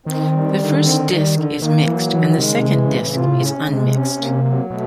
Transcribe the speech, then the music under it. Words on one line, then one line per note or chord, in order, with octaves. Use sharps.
The first disc is mixed and the second disc is unmixed.
D#3 C4
G3
D3
C4
G3
D3
D#3 A#3
E3 F#3
D#3 E3
C3 G#3
C#3
C3
C#3 E3
C3
A2 C#3
C3
C#3
C3 F4
C#3
C3
C#3 C#4
C3
C#3 G#3
C3
C#4
A#3
F#3
B2 A3